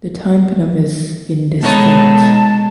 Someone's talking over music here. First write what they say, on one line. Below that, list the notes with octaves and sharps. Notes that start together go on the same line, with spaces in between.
The tympanum is indistinct.
B2 G#3 A3 B3 D#4 C#5 A5